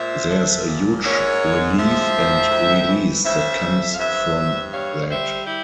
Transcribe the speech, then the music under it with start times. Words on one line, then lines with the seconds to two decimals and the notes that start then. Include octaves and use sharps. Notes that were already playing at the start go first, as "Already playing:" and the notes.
There's a huge relief and release that comes from that.
Already playing: A#2 G#3 C5 E5
0.30 F3
0.67 A#2
1.04 G#2 A#4 C#5
1.42 G#3
1.78 F3 C5 E5
2.15 G#2
2.51 F2
2.88 E3
3.24 C#3 C5 E5
3.62 F2
3.93 F5
3.99 G2 C5 E5
4.36 G2
4.72 G3 C#5 F5
5.08 G3 C5 E5
5.45 E4 G4